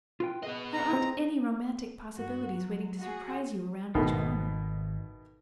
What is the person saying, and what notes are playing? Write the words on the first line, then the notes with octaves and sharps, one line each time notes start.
There aren't any romantic possibilities waiting to surprise you around each corner.
F4 B4 G5
B3 G#4 B4 D#5
A#5
C4
G2 F#4
F#3
F#4 G#4
G#1 B2 D#3 A3